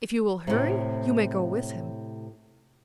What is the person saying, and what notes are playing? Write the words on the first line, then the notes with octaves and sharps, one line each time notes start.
If you will hurry, you may go with him!
A2 C3